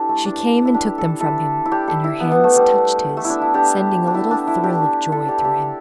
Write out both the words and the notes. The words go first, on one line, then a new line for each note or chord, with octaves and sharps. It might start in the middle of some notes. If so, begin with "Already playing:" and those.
She came and took them from him, and her hands touched his, sending a little thrill of joy through him.
Already playing: D4 E4 G4 A4
A3
D4
E4
D4 G4
A4
E4 A4
E4
D4 G4
E4 A4
E4
B3
B3
A3
G3
A3
E4
D4
E4
D4 G4
D4
E4
D4
E4
D4 G4
E4 A4
D4 G4
D4 G4